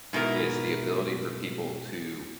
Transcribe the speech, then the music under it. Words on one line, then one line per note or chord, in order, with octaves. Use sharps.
is the ability for people to
G#2 B2 E4 A#4